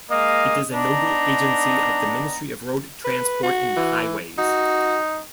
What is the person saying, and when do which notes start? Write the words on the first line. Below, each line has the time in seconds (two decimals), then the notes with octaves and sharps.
It is a nodal agency of the Ministry of Road Transport and Highways.
0.10 G#3 A#3 D#5 F5
0.72 B3 D4 D#4 A#5
3.05 B4
3.43 F#4
3.76 E3
4.38 D#4 F#4